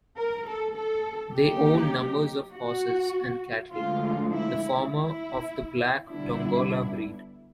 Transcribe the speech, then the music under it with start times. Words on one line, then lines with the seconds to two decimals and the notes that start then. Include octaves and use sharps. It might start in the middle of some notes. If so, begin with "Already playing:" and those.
They own numbers of horses and cattle, the former of the black Dongola breed.
0.17 A#4
0.47 A4
0.76 A4
1.35 C#3 F#3 A#3 D#4 G4
2.54 F#4
3.72 D2 D3 F3 G#3 F4
4.32 E4
4.91 E4
6.08 D3 G3 B3 D4 E4